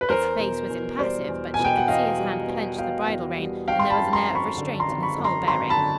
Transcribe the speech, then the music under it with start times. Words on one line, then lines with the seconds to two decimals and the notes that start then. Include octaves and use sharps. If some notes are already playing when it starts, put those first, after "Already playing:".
His face was impassive, but she could see his hand clench the bridle-rein, and there was an air of restraint in his whole bearing.
0.01 B4
0.09 E2 A#4 C5
0.40 B2
0.68 E2
0.98 G3 C5 D5
1.28 E2
1.54 G#5
1.59 B2
1.65 G5
1.77 F#5
1.88 E2 D#5 F5
2.19 G3
2.48 E2
2.78 B2 F5 G5
3.08 E2
3.38 G3
3.68 G#1 F5 G5
3.79 C6
3.90 A5 B5
3.98 F#2
4.13 A#5 C6
4.28 G#1
4.35 B5 C#6
4.58 D3
4.80 A#5 C6
4.88 G#1
5.03 B5 C#6
5.18 F#2
5.24 A#5 C6
5.47 G#1 A#5 C6
5.70 A5 B5
5.77 D3